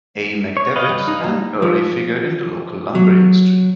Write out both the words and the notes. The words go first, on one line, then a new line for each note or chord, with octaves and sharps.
A. McDavitt, an early figure in the local lumber industry.
C#5
B4 D#5 F5
G3
D#4
A#3
F3
F#3